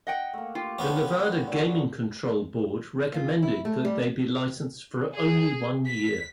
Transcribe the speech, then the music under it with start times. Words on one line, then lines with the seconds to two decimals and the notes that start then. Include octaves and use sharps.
The Nevada Gaming Control Board recommended that they be licensed for only one year.
0.07 D#5 F#5 G5
0.34 A3 A#3
0.55 F4 G4
0.79 B3 C#4
1.47 D3 F#3
3.14 F4
3.42 E4
3.65 A3
3.85 G3
5.13 G#4
5.85 B6